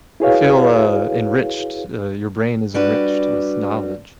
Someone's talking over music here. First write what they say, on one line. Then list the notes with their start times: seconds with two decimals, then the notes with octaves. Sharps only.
You feel, uh, enriched, uh, your brain is enriched with knowledge.
0.20 E4 F#4 G#4 B4 C#5 F5
2.74 G3 D4 F#4 B4